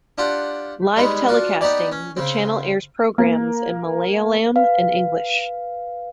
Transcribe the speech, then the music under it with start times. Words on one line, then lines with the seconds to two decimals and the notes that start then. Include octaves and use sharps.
Live telecasting The channel airs programs in Malayalam and English.
0.18 D4 F4 G4 F#5
0.96 G3 G#3 B3 D#4
1.28 D4 F4 F#4
1.61 B3 D#4 G4 D5
1.92 C#4
2.17 C#3 C4
3.18 A#3
4.56 B4 F5